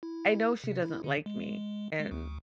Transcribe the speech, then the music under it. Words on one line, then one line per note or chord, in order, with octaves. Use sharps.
I know she doesn't like me, and
E4
C3
E4
D3
G#3
G#3
D2